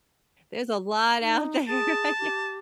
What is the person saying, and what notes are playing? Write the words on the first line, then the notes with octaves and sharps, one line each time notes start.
There's a lot out there, yeah.
D#4
G#4 A5
G4